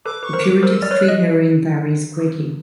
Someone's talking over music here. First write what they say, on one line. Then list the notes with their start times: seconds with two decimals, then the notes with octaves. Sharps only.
The purity of street heroin varies greatly.
0.05 A4 B4 D6
0.23 B4 C#6
0.33 A#4 C5
0.44 D6
0.62 A#4 C5 E6
0.81 D5 F6
0.91 B4 C#5
1.01 F#6
1.08 D#5